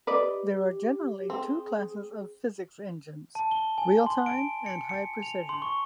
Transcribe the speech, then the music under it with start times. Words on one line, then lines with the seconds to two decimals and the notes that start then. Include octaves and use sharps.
There are generally two classes of physics engines: real-time and high-precision.
0.07 G4 B4 D5 D#5
1.30 C4 G#4
3.35 A5
3.51 G7
3.78 G#5
4.06 C6
4.26 D7
4.66 C#7
4.89 C#7
5.23 F7
5.49 C6
5.62 C#6